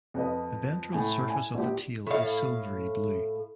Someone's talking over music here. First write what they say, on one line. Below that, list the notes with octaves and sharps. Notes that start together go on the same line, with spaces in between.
The ventral surface of the tail is silvery blue.
F2 B4 D#5
A2 G#5
G#5
A#1 G4
A2 F5